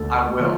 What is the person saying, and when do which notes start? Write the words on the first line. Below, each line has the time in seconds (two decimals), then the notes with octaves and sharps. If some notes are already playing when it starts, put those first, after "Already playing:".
I will.
Already playing: D2 D3 A3 A4
0.40 D3 F3 A3